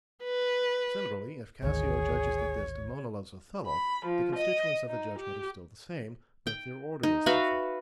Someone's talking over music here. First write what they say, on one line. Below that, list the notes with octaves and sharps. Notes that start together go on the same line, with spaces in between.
Similarly, if Cassio judges that Desdemona loves Othello, the constituents of the judgement are still the same, but their order is different.
B4
G#1 D2 D#3 G#4 C#5
B5
F3
D#5
D#4
G4
G5
D#4
F#4 B4 E5 F5